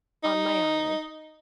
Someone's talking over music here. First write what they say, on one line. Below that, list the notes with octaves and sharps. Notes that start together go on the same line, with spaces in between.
"On my honor."
D#4